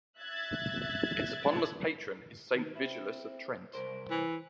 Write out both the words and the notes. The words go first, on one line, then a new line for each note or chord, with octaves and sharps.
Its eponymous patron is Saint Vigilius of Trent.
E5 F#6 G#6 A6
D#3
C4 E4
C2 A#4 C5
E3